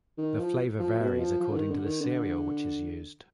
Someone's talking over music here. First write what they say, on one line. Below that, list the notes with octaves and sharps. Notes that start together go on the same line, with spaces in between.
The flavour varies according to the cereal which is used.
D#3
F3
F3
B2
F3
F3
D3
D#3
D3
D#3
D3